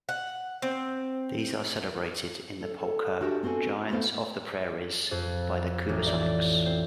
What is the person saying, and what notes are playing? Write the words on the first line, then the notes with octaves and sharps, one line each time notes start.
These are celebrated in the polka "Giants of the Prairies" by the Kubasonics.
F#5
C4
A4
D4 F#4 G4 A4 A#4 E5
B3 C4 F#4 A4 G#5
A3 B3 A4 C5 F5
F2
A1
D5
C4